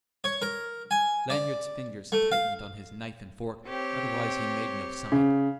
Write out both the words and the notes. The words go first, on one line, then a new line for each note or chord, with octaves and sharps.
Lanyard's fingers tightened on his knife and fork; otherwise he made no sign.
C#5
A#4
G#5
D5
A3
F5
C4 G4 C#5
C#3